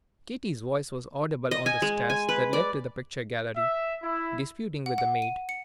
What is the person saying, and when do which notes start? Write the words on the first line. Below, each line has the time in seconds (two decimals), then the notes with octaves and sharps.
Kitty's voice was audible on the stairs that led to the picture-gallery, disputing with the maid.
1.51 D#5
1.66 G#5
1.82 G#3
2.10 G#5
2.29 B4
2.53 D5
3.56 E5
4.03 E4
4.86 F#5
4.98 F#5
5.22 D#7
5.49 C#7